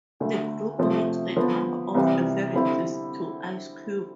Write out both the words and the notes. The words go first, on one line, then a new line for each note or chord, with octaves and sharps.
The group makes a number of references to Ice Cube.
D2 D3 A3
C3 F3 A3
D3 F3 B3
C2 C3 E3 G3 C4
D3 G3 C4 E4 A4